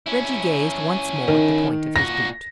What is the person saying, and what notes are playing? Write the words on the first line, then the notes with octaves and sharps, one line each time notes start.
Reggie gazed once more at the point of his boot.
C#4 E4
D#3
A#2 F#4 A#6